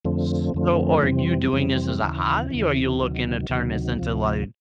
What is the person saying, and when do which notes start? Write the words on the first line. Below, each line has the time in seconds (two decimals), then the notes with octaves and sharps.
So, are you doing this as a hobby, or are you looking to turn this into, like,
0.05 F2 D3 F3 A3 C4
0.54 F2 D3 F3 A3 C4
1.03 F2 C3 E3 G3 C4
1.52 F2 C3 E3 G3 C4
2.02 D#2 C#3 E3
2.51 D#2 C#3 E3
3.00 D2 C3 D#3 F#3
3.49 D2 C3 D#3 F#3
3.98 D2 C3 F3